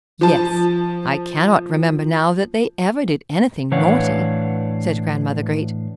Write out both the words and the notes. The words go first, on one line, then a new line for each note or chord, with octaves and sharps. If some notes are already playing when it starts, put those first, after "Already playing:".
"Yes; I cannot remember now that they ever did anything naughty," said Grandmother Great.
F3 A5
A2 E3 D4 C#5 F5 F#5